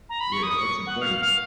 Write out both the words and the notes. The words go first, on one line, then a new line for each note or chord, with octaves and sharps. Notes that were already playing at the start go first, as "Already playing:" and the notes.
Yeah, that's important.
A#5
B5
C#6
D#6
C#6
F#5
F5
F5